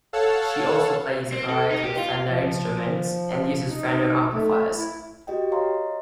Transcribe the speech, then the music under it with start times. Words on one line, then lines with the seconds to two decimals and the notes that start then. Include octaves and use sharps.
She also plays a variety of Fender instruments, and uses Fender amplifiers.
0.13 A4 C#5 F5 F#5 A5 E6
1.32 C4
1.49 A4
1.70 D#4
1.83 G4
1.98 F4
2.28 F3
3.69 D#4
4.33 A3
4.74 E4
5.27 F#4 G4 D#5 G5
5.52 C#5 D#5 F5 A#5 C6